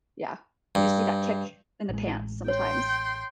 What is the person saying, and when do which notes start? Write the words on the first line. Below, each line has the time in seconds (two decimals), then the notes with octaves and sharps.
yeah. We, just, need that kick in the pants sometimes.
0.75 G2
1.89 A1 G#3
2.48 C#5 G5 C6